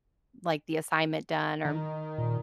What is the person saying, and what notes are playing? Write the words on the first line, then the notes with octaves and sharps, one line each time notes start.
like, the assignment done or
D#3
A#2